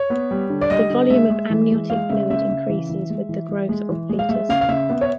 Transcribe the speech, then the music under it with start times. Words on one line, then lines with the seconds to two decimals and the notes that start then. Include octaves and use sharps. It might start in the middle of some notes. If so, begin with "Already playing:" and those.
The volume of amniotic fluid increases with the growth of fetus.
Already playing: C#5
0.10 B3
0.31 G3
0.50 D3
0.61 D5
0.70 G3 D#5
0.90 D3
1.10 G#3 E5
1.30 G#3
1.50 E3
1.71 G#3
1.90 G#3 F5
2.10 C#3 E5
2.30 C#3 E5
2.49 C#3
2.69 E3
2.90 E3
3.10 G#3
3.29 E3
3.49 E3
3.69 G#3
3.89 E3
4.09 G#3
4.19 F5
4.29 G#3 E5
4.49 C#3 F5
4.61 F5
4.69 C#3 E5
4.90 B3
5.01 C#5